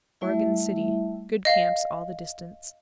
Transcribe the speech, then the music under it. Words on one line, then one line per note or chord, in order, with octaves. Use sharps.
Oregon City.--Good camps all the distance.
G3 A3 E4 E5
D#5 F5